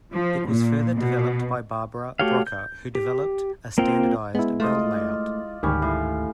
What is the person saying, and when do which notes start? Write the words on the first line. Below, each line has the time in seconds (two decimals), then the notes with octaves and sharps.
It was further developed by Barbara Brocker who developed a standardized bell layout.
0.13 F3
0.49 A#2
0.96 B2
2.19 A3 F#4 G4 C#5 F5
2.47 G6
2.95 G4
3.78 A#3 C4 F4 G5
4.35 G#3 B3 E4
4.60 A3 F4 D5 D#5
5.63 D2 G#2 D#3 G3 C#4
5.82 A2